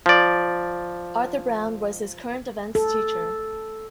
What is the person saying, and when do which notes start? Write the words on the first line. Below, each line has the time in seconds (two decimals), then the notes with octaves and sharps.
Arthur Brown was his current events teacher.
0.06 F3 D5
2.75 A4